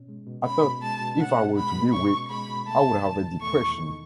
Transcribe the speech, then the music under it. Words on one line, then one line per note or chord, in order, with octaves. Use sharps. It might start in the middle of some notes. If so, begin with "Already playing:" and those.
I thought if I were to be weak I would have a depression.
Already playing: B2 C#4
G#3
B2
C#4 B5
B2
G#3 A5
B2
C#4 F#5
B2
G#3 B5
B2
C#4 C#6
B2
G#3 B5
B2
A3 A5
E2
D#3
E2
A3 C#6
E2
D#3